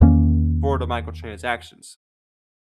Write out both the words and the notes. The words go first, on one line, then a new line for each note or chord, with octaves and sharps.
for the microtransactions.
E2 D#3 A#3 C#4